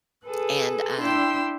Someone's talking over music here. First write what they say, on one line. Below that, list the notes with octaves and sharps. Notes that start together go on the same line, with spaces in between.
and, um,
G#4 A4 B4
D4 E4 G5 C6 E6